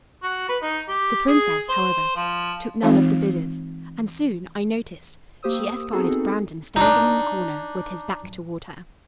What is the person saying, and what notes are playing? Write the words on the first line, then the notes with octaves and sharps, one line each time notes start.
The princess, however, took none of the bidders, and soon, I noticed, she espied Brandon standing in the corner with his back toward her.
F#4
B4
D#4
G4
G#4
C5
F3
E3 G#3 C4 D#4 F4 F5
A#3 G4 C5 D#6 E6
B3 C4 D#4 F#4 G#4 A4
D4 D#4